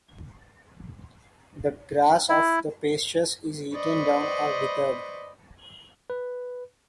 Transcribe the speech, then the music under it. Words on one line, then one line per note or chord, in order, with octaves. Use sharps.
The grass of the pastures is eaten down or withered.
E4
B4 C5 D5 D#5 B5 C#6
B4